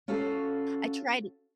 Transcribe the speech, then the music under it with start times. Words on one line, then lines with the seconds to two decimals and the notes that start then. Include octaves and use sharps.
I tried t
0.08 C#4 F4 F#4 A4 F5